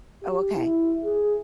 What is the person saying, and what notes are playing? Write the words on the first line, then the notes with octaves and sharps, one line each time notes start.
Oh, okay.
G4
E4
G#4